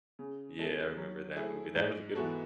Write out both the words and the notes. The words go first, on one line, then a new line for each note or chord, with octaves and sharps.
Yeah, I remember that movie. That was a good one.
C#3
G#3 B3 E4 A4
F#3
A3 E4 G#4
G#2
E3 B3 F#4 A4